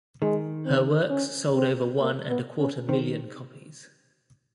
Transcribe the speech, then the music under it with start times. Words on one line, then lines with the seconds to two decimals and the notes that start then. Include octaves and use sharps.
Her works sold over one and a quarter million copies.
0.22 D#3 G#3
0.66 C4
1.10 C#4
1.55 C4
2.00 A#3
2.29 B3
2.59 C#4
2.88 D#3 C4